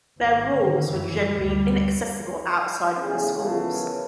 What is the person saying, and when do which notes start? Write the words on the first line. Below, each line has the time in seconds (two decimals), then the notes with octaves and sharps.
Their rules were generally inaccessible outside of the schools.
0.19 G#1
0.55 D3 D#3
0.90 F#2 E3
1.31 D2 G3
3.03 E2 A2 C#3 G#4
3.36 F#2 C#3 E3 B3 A4